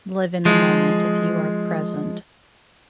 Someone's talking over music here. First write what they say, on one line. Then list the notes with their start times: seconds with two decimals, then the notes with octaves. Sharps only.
live in the moment, if you are present,
0.45 F3 G#3